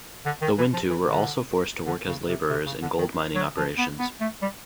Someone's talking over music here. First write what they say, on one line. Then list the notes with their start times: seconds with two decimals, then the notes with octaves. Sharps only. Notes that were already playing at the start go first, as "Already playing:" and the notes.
The Wintu were also forced to work as laborers in gold mining operations.
0.26 D3
0.42 D#3
0.58 E3
0.73 F3
0.90 E3
1.06 D3
1.86 D3
2.07 C#3
2.29 C3
2.50 C3
2.66 C#3
2.82 D3
2.98 D#3
3.35 F#3
3.57 F3
3.78 B3
3.99 B3
4.21 A3
4.42 G3